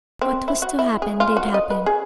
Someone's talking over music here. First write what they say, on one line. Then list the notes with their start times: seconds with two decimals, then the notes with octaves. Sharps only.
What was to happen did happen.
0.22 C4
0.48 E4
0.62 F#4
0.79 E4
1.02 G#4
1.20 F4
1.37 F#4
1.54 D#5
1.70 B4
1.86 G#4